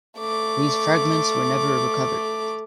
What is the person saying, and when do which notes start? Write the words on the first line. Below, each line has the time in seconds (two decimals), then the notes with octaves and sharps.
These fragments were never recovered.
0.18 A3 D6